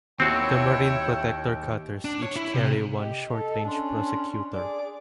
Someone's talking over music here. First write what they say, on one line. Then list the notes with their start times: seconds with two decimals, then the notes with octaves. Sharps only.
The Marine Protector cutters each carry one Short Range Prosecutor.
0.20 D#2 C4 E4 F#4 C#5 G5
2.05 D4
2.23 C#5
2.36 E4
2.54 C3
2.98 G4 D#5
3.34 A4
3.68 C#4 D4 C6
4.53 G#4 D5 D6